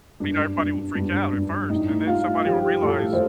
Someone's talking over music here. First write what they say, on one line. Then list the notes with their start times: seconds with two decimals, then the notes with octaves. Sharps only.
We know everybody will freak out at first, and then somebody will realize,
0.20 G2 D4
0.58 G2
0.95 G2
1.33 G2
1.70 A2 D#4
2.07 A2 F4
2.45 F3 G4
2.82 A2 A4
3.13 C5